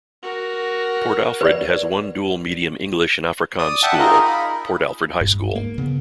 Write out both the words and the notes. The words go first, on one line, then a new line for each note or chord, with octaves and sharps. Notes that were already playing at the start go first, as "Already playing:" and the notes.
Port Alfred has one dual medium English and Afrikaans school, Port Alfred High School.
F#4 A#4
B4 D5
D5 D#6
E5 F#5 G5 A5
D#4 F4 G#4 A#4 D#5
B5
G2
G#2 A#3
C#3 B3